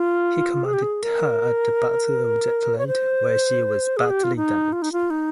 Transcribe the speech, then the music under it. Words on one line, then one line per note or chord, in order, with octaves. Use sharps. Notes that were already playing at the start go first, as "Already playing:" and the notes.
He commanded her at the Battle of Jutland, where she was badly damaged.
Already playing: F4
G#4
G4
G#4
A#4
C#5
C5
G#4
G4
F4
D#4
F4
D#4
F4
D#4